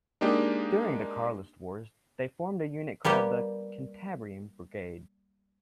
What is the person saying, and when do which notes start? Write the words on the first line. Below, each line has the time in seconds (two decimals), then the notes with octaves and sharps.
During the Carlist wars they formed a unit called the "Cantabrian Brigade".
0.21 G#3 A#3 D4 D#4 G4
3.05 G3 A#3 B3 G4